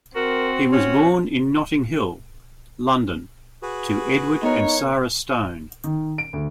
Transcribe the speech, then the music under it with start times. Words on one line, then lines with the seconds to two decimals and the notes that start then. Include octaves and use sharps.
He was born in Notting Hill, London to Edward and Sarah Stone.
0.16 C4 F#4 A#4
0.72 C#4 F#4
3.62 F#4 G#4 B4
4.43 B3 D#4 A#4 C#5
5.84 D#3
6.18 D7
6.33 D2